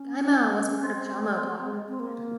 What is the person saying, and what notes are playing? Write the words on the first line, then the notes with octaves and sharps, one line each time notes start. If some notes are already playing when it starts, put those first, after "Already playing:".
Gaimau was part of Jamo block then.
Already playing: C#4
D#4
C#4
C#4
C#4
C#4
C4
C4
G#3
C4
A#3